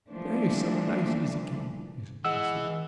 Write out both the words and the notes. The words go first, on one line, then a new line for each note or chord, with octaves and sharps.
"Play some nice, easy game," he suggested.
E3 F3 G3 A3 A#3 D4
E3 G#3 F#5 E6